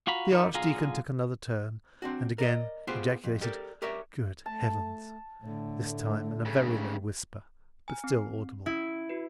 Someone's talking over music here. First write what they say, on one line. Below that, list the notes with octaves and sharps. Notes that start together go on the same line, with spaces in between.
The archdeacon took another turn, and again ejaculated, "Good heavens!" this time in a very low whisper, but still audible.
F4 F#4 A#5 B5
F3 G3 D#4 A#4
B1 D3 F4 G#4 F5 A#5
C4 D4 F#4
A#4 D5 D#5
B3 F4 G4 G#4 B4 C5
F2
G4 A4 A#4 D5
G4 A#4 C#5 D5 E5
A3 A5
A2 D3 A3
G2 C#3
G#5 A#5 F6
C4 C7
C#4 E4
F#4 B4